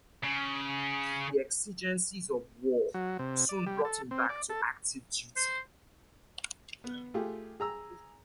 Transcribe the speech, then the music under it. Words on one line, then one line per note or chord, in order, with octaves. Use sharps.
The exigencies of war soon brought him back to active duty.
C#3
F#3
C3
D5
G3
A4
C4
D5
A4
C5
B3
A3 F4 G4 G#4
G#4 A#5 E6